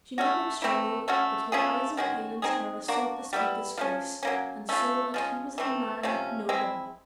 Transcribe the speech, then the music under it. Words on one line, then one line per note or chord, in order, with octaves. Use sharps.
She made no struggle, but her eyes of pain and terror sought the speaker's face, and saw that he was the man Nogam.
A3 C#4 F#4
E3 A3 C4 E4
A3 C#4 F#4
A3 C#4 F4 G#4
D#3 G#3 C#4 F#4
G#3 C4 D#4 G#4
A#3 D4 F#4
G3 B3 E4
F3 A3 C#4
F#3 A#3 C#4
A3 C#4 F4
F3 G#3 C#4
E3 A3 C4
C3 F3 A3 C#4
G#3 C4 E4